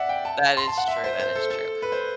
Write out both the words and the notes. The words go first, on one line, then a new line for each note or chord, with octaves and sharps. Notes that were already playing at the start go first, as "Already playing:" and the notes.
That is true, that is true.
Already playing: D5 E5 F#5
G5
A5
C6
A5
F#5
E5
C5
C5
A4
A4
B4
C5